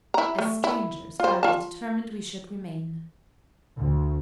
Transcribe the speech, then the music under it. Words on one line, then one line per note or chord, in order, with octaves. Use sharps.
As strangers I was determined we should remain.
E4 A#5
A3
E4
F4 C5
F4 A5
D2